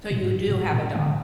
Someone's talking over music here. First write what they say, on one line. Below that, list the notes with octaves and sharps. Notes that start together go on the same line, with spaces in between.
So you do have a dog?
A2
G#2
A2
A2
D3